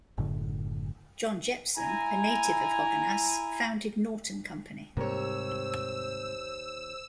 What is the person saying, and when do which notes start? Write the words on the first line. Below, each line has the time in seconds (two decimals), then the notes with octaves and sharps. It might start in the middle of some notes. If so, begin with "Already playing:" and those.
John Jeppson, a native of Hoganas, founded Norton Company.
0.18 F#1 A2 D3
1.77 E4 G#5 A#5
4.97 D#2 G#2 C3 G3 C5 C#5 E6